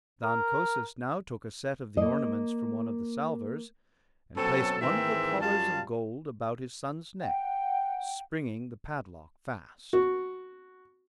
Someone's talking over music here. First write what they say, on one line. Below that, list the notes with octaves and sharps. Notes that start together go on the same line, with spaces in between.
Than Kosis now took a set of the ornaments from one of the salvers and placed one of the collars of gold about his son's neck, springing the padlock fast.
A#4
A#3 D#5
B2 F#3 C4 C#4 A4
G#2 D#3 E3 G#3 C4 E5
F#2 G3 F4 G4 F5 A5
F#5 G5
F#4